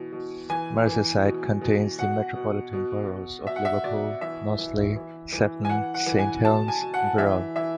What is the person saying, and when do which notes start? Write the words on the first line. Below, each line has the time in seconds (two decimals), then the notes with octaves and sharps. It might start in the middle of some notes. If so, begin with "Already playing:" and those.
Merseyside contains the metropolitan boroughs of Liverpool, Knowsley, Sefton, Saint Helens and Wirral.
Already playing: B2 E3
0.12 B2
0.50 E3 G#5
0.87 E3
1.24 B2
1.61 B2
1.98 B2 F#5
2.35 B2
2.73 B2
3.09 B2
3.47 B2 E5
3.56 F#5
3.65 E5
3.84 B2 D5
4.21 E3 E5
4.59 E3
4.96 E3
5.33 E3
5.65 G#5
5.69 E3 F#5
5.94 F#5
6.06 E3
6.19 G#5
6.43 B2 A5
6.68 G#5
6.82 B2
6.94 F#5
7.18 E3 E5
7.56 E3 E5